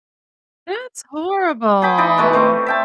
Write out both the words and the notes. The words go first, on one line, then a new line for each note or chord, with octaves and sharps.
That's horrible.
G#4 G5 B5 D6
D#4 E4 D5
B2 G#3 A3
A3 C4 C5
E5 G5 A5